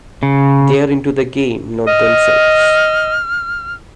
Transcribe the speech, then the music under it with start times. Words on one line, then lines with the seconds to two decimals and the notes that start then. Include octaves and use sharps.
They're into the game, not themselves.
0.23 C#3
1.87 D#5 F6